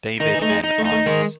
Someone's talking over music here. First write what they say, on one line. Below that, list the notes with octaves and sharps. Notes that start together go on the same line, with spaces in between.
David N. Ives.
D#3 D#4
E3
A3 D#4
G#3
D#4
A3
D#4
A3
D#3 G#3